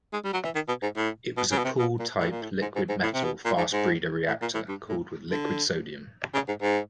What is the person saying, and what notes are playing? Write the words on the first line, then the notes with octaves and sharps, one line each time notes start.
It was a pool-type liquid-metal fast breeder reactor cooled with liquid sodium.
G#3
G3
F#3
E3
D#3
B2
G#2
A2
B2
C#3
B2
C3
B2
A#2
A2
A#2
A2
G#2
G#2
G#2
A2
C3
B2
A#2
G#2
G#2
A2
A#2
A2
G2
A2
D3
C#3
G#2
G#2